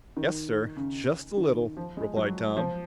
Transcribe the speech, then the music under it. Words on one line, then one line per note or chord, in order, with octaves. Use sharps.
"Yes, sir--just a little," replied Tom.
D#3
C#3
D#3
F3
G#3
F#3
F3